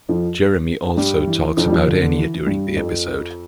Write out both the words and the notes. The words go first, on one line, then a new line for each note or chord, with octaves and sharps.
Jeremy also talks about Enya during the episode.
F2 F3
G2 G3
E3
F2 F3
G3
F2 F3
D3
D3
E3
G2 G3
F2 F3